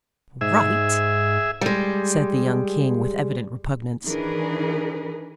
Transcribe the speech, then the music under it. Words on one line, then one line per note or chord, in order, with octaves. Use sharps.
"Write!" said the young king, with evident repugnance.
G#2 G#4 E5
G3 G#3
D#3 E3 D4 G#4 A#4 B4